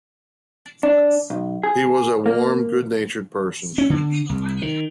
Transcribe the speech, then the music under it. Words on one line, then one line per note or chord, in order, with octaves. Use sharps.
He was a warm, good-natured person.
D4
B1
G#4
A#3
C#4
D3
C2
D#3